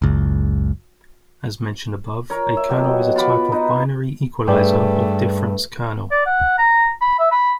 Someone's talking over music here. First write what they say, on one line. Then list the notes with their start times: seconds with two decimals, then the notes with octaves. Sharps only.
As mentioned above, a kernel is a type of binary equaliser, or difference kernel.
0.02 F#1 C#2
2.30 A#4 C#5
2.57 E5
2.69 B2 F#3 F#4 G4
2.84 D#5
3.16 F4 F#4 B5 D6
3.52 D#4 B4
4.48 G2 A3 G#4 B4 D5 G5
6.11 D5
6.26 F#5
6.58 A#5
7.01 B5
7.19 E5
7.31 B5